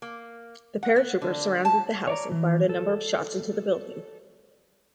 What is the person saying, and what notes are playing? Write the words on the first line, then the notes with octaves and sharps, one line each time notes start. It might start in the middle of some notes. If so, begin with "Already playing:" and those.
The paratroopers surrounded the house and fired a number of shots into the building.
A#3
F#5
B3
D3
A5
C#5 D5 A#5
E3
A4